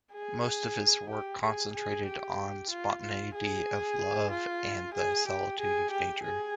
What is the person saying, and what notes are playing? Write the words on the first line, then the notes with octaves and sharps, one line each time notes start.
Most of his work concentrated on spontaneity of love and the solitude of nature.
G#4
G4
G#4
G#4
G4
F4
F4
G#4
F4
G#4
G4
G#4
G4
G#4